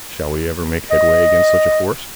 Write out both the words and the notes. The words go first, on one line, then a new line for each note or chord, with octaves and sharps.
Shall we ever make headway against such a force?
D#5